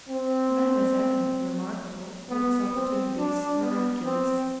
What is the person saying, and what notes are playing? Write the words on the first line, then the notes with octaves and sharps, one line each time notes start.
The man is eminently remarkable,--with his opportunities, miraculous.
C4
B3
C4
D4
B3
C4